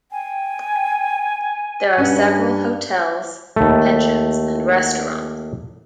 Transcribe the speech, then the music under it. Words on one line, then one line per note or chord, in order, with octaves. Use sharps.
There are several hotels, pensions and restaurants.
G5 G#5
G2 C#4 B4
D#2 A3